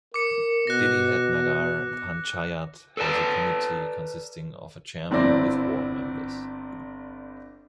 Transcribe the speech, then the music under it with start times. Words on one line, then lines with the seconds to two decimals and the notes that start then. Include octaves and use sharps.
Didihat Nagar Panchayat has a committee consisting of a chairman with ward members.
0.14 A#4 D6 C#7
0.67 B2 F#6 A#6
2.97 A4 B4 D5 A5 A#5
5.11 G1 C4 E4 D5 A#6